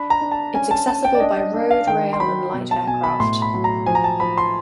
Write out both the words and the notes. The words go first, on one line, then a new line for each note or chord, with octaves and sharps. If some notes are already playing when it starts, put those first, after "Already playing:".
It is accessible by road, rail and light aircraft.
Already playing: D4 B5
A#5
D4
A5
C#4 G#5
A5
C#4 A5
G5
D5
D4 D#5
D#5
D4
F5
D#3 G5
C6
F#3 B5
B2
A5
B2 G#5
B5
A2 C6
B5
F#3
A#5
F3 G#5
A#5
A5
F3 B5
C6